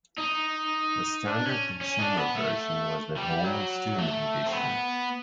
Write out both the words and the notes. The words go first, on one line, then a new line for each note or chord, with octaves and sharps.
The standard consumer version was the Home and Student Edition.
D#4
D4
C#4
C#4
D4
B3
A3
G3
F#3
A3
C4
B3